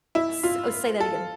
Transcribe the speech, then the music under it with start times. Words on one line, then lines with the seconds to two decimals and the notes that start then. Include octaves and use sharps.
S Oh, say that again.
0.15 E4
0.43 F4
1.00 A4